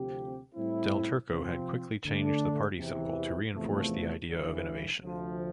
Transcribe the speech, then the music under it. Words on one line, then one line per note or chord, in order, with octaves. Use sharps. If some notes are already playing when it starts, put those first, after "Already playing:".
Del Turco had quickly changed the party symbol to reinforce the idea of innovation.
Already playing: D2 C3 F3 C4 G4
A2 G3 C4 E4
C3 F3 C4
D3 A3 D4
E2 C3 E3
E2 C3 F3 A3
G1 G2 E3
D2 C3 F3